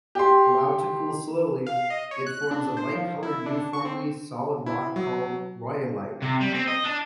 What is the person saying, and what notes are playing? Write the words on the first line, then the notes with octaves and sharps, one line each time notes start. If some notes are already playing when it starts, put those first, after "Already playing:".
Allowed to cool slowly, it forms a light-colored, uniformly solid rock called rhyolite.
G4 C6
F5
D#5
C#5
F#6
D4
C5
F3
E4
D4
C#6
C4
E4
F#3
C3
G3
C4
D#5
D4